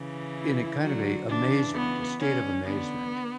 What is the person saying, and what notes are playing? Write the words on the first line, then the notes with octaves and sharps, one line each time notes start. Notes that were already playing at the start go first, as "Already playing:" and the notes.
in a kind of a amazement, a state of amazement,
Already playing: C#3 E3
E4
D3 F#3 F#4
C#3 E3 D4
B3
D3 C#4
D3 B3